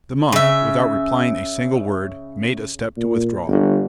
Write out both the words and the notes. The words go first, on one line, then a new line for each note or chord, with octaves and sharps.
The monk, without replying a single word, made a step to withdraw.
C#3 E5
A#2
G1